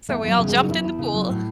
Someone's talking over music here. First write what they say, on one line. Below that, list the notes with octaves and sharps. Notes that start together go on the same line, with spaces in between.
So, we all jumped in the pool.
E2 A3
E2 F#3
C#3
G#3
F#3
F#4
E2 E4
E2
C#3
F#3
A2